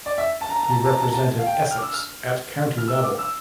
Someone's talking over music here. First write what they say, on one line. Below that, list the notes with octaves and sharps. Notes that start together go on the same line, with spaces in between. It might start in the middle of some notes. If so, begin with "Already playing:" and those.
He represented Essex at county level.
D5
E5
A5
A#5
A5
A#5
A5
A#5
A5
A#5
A5
A#5
A5
F5
G5
G5
F6
D6
E6
F6
F6
E6
D6
E6